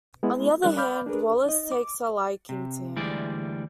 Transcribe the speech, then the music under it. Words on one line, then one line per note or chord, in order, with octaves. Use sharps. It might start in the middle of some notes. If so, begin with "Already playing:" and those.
On the other hand, Wallace takes a liking to him.
G#3 B3 E4
G3 D4 A#4 F#6
D5 F5 B5 D6 F6 G6
D4 G#4 A#4 B4
D#4 D#5
D6
C3
D2 E3 G3 G#3 D5